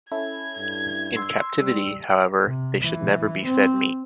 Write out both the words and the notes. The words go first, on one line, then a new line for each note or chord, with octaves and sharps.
In captivity, however, they should never be fed meat.
C#4 E4 A4 G#6
G2
C6 E6
G3
C3
E3
C4